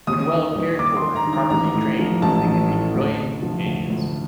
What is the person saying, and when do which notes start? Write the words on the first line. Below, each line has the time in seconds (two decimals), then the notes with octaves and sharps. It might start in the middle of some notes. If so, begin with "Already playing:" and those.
When well cared for and properly trained they can make brilliant companions.
0.07 D#2 D#6
0.31 D#3
0.55 G3
0.79 D#2 D6
0.96 C6
1.02 D#2
1.15 A#5
1.27 D#3
1.33 A#5
1.50 A1 A#5
1.74 A2
1.99 F3
2.22 A1 A5
2.46 A1
2.70 A2
2.94 D2
3.18 C3
3.43 F3
3.66 D2
3.90 D2